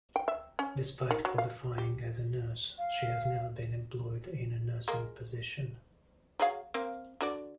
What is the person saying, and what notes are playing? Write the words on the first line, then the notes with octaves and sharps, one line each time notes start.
Despite qualifying as a nurse, she has never been employed in a nursing position.
G5
E5
C#4
D#3
F#3
F5
G4
F5
G#3 A#3
F#3 G#4 F5
A#3 C4 F5
D3 F#4 D5